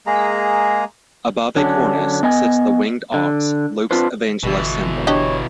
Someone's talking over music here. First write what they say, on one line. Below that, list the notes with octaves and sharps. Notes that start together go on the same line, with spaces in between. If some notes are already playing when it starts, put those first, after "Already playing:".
Above a cornice sits the winged ox, Luke's evangelist's symbol.
G#3 A#3 G#4 A#5
D3 F#3 C#4 D4
B3 D#5 G#5
D3
C4 D4 F4 B4 C5
G1 B2 E3
D4 G4 C#5 D#5